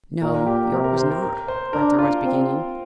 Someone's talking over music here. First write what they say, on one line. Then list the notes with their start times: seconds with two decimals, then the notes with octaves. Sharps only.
"No, Yorke was not," Arthur was beginning.
0.22 A#2 A#4
0.35 A#4
0.46 G4
0.72 C3 A#4
0.84 A#4
0.97 C5
1.11 A#4
1.22 A#4
1.48 C5
1.73 D4 A#4
1.99 F4
2.24 C4